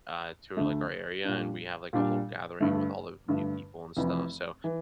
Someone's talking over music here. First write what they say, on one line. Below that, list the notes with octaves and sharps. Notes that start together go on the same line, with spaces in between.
uh, tour, like, our area, and we have, like, a whole gathering with all the new people and stuff, so,
D2 D3 A3
A#2 G3 D4
A#2 G3 D4
G2 D3 A3
G2 D3 A3
F1 F2 E3
E3